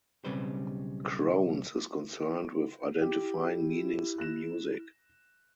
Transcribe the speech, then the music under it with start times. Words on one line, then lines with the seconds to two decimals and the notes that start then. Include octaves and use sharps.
Krones is concerned with identifying meanings in music.
0.24 B1 C#3 G3 C4 B4 C5
3.01 E4 G4
4.18 F#6 A#6 E7